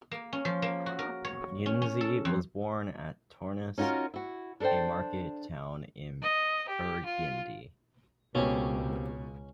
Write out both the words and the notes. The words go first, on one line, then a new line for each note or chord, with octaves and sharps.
Greuze was born at Tournus, a market town in Burgundy.
A#3
C#4
F3
A#3
F#4
A#4
C#5
C#4
C#4
A4
F2
C#4 D#4 F4 F#4 A#4
E4 F#4
D4 A4 A#4 C5 G5
D#5
G4
F4
C#2 B2 A#3 C4 C#4 G4 C#5